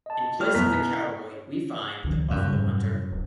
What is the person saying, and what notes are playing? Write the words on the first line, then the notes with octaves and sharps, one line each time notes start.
In place of the cowboy we find the buffalo-hunter.
D#5 A5
G3 A3 F6
B2 B3 E4 B4 A#5 F#6 B6
C#2 D#3 F3
F#2 C#3 E3 G3
G#2 C3 G3
D1